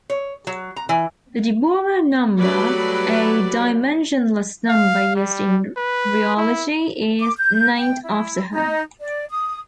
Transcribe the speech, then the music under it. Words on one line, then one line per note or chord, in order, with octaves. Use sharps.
The Deborah number, a dimensionless number used in rheology, is named after her.
C#5
F#3
A#5
E3
F#3 G3 A3 B4 D5
F5
G3
B4
E4
D6
G6
G5
E4
D#4
D5
D#6